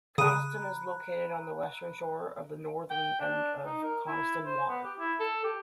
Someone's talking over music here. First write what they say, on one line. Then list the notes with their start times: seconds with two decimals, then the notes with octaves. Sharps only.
Coniston is located on the western shore of the northern end of Coniston Water.
0.18 C#3 A#5 B5 D#6 F#6 D#7
2.90 G5
3.20 D4
3.65 D#4
3.83 A#4
4.07 E4
4.46 C5
4.68 B3
4.84 G4
4.99 E4
5.19 A4
5.44 G4